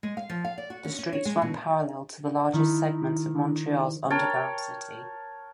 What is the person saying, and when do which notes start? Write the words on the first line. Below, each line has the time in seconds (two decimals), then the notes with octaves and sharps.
The street runs parallel to the largest segments of Montreal's underground city.
0.03 G#3
0.17 F5
0.30 F3
0.45 F5
0.58 D5
0.70 F#4
0.84 C#4
0.99 C#4
1.13 C#5
1.25 G#3
1.42 B2
2.53 D#3 E4
4.10 A#4 C#5 G5 A5